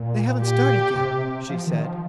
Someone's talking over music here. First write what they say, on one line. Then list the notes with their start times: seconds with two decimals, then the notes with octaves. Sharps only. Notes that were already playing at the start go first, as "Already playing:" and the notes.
"They haven't started yet," she said.
Already playing: A#2
0.42 G4
0.95 C3
1.49 F3
1.67 D#3
1.84 F3